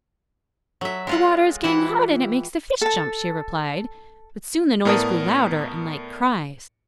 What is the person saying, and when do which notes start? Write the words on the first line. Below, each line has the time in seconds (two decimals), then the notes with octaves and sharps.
'The water is getting hot, and it makes the fish jump,' she replied; but soon the noise grew louder and like cries.
0.81 F#3 A4 C#5 E5
1.07 G#3 F4 F#5
1.64 E3 F3 G3 E4 F4 F#5
2.81 A4 A5
4.85 A2 B3 A#4 D5 A5 D#6